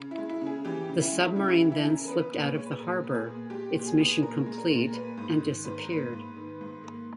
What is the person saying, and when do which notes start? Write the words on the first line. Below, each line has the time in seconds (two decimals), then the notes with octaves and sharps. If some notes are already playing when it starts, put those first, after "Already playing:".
The submarine then slipped out of the harbour, its mission complete, and disappeared.
Already playing: C#3
0.11 E4
0.18 G#3
0.29 E4
0.41 C#3 G#4
0.65 E3 G4
0.89 C#3
1.01 E4
1.12 G#3
1.36 C#3 E4
1.48 G4
1.54 E4
1.60 E3
1.72 E4
1.83 C#3 G#4
1.90 A#4
2.04 A#4
2.07 B3 B4
2.31 A#2
2.43 B4
2.55 G#3 C#5
2.66 B4
2.79 A#2 A#4
3.04 B3
3.15 G#4
3.27 A#2
3.50 G#3 G4
3.74 A#2
3.79 G4
3.87 G#4
3.98 B3
4.21 A#2 A#4
4.46 G#3
4.58 A#4
4.70 A#2
4.93 A#3 B4
5.17 G#2
5.41 D#3
5.65 G#2 B4
5.78 A#4
5.88 A#3 B4
6.13 G#2
6.36 D#3
6.61 G#2
6.84 A#3